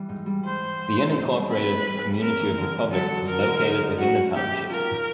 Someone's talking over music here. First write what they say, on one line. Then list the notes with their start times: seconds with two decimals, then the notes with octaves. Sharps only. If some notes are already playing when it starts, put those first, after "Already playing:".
The unincorporated community of Republic is located within the township.
Already playing: E3 G3
0.09 G#2
0.26 G3
0.44 E3 C5
0.62 G#2
0.79 G#2
0.98 G#2
1.15 C4
1.33 G3
1.50 C4 B4
1.69 E3
1.86 G3
2.04 G3
2.21 C4 A#4
2.39 E3
2.57 D3
2.75 D3
2.92 F#3 A4
3.10 F#3
3.27 F#3 A#4
3.46 D3
3.63 D#4
3.81 D#4
3.98 C#4 F#4
4.17 C#4
4.34 B2 G4
4.52 C#4
4.70 F4 A#4
4.87 C#4